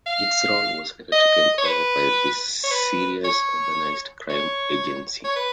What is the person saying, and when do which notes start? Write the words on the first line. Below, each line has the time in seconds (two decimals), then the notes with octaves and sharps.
Its role was later taken over by the Serious Organised Crime Agency.
0.06 F5
1.12 D#5
1.58 C#5
1.65 B4
2.63 C#5
2.71 B4
3.25 C#5
4.30 C#5
5.24 C#5
5.36 B4